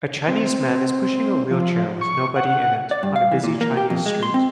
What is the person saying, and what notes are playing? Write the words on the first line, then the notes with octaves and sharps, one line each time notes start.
A Chinese man is pushing a wheelchair with nobody in it on a busy Chinese street.
C4
F3
C#6
F#5
D5
G2
F5
E3
A#2
A#3
G4
F2
G#3
C6
C4